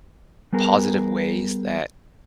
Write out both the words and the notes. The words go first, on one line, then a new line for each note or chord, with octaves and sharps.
positive ways that,
G3 B3 G#4 A#4